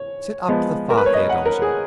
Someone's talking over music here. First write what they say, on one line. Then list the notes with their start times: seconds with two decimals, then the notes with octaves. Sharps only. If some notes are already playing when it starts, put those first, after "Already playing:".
Sit up to the fire, Theodosia.
Already playing: C#5
0.48 F3 G#3 B3
0.90 A#4
0.97 B4
1.06 C#5
1.13 D#5
1.29 F#5
1.46 A#4
1.62 G#4